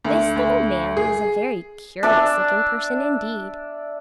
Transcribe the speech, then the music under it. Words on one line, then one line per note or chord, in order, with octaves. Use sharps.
This little man was a very curious-looking person indeed.
D2
D2
G#4
D4 E5